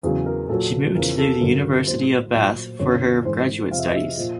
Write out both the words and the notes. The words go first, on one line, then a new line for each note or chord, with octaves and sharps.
She moved to the University of Bath for her graduate studies.
E2 C#3 F#3 G#4
A#4
A#2 F#3 A4
E2 C#3 F3 A#4
A4
G2 D3 F#3 A#4
A2 F#3 C5
A#2 F#3
F#2 D3 F3 C#5
G#2 E3 C5
F2 C3 F3 F5
E5
D#5
E5
A#2 F3